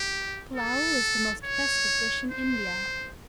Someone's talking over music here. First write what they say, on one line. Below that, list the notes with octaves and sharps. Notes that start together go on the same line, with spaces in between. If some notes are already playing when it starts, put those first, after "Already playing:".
Pullao is the most festive dish in India.
Already playing: G4
A4
C#5
C5